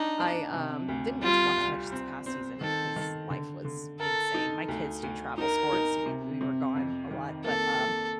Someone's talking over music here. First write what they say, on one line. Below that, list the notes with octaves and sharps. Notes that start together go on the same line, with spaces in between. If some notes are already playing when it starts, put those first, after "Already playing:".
I um, didn't get to watch much this past season 'cause life was insane. My kids do travel sports, we we were gone a lot, but, um,
Already playing: D4 D#4
D4
C3
D2
G3 F4
C2
C4
C4
D#3 A4
D#3
D3
D3
A4 A#4
D#4
D2
D2
D#4 A#4
D#4
C3
C3
F2
D#3
A#3 A4
A#3